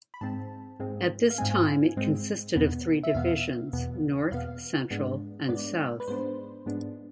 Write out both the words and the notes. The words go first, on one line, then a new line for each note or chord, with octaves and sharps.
At this time it consisted of three divisions: North, Central and South.
B5
G#2 G#3 C4 A5
G#2 G#3 C4
F5
G#2 G#3 C4 G#5
G#2 G#3 C4
E2 B2 B3
E5
E2 B2 B3 F5
E2 B2 B3
E2 B2 B3 F5
G#2 G#3 B3 D4
G#2 G#3 B3 D4 D5
B4
G#2 G#3 B3 D4 C5
G#2 G#3 B3 D4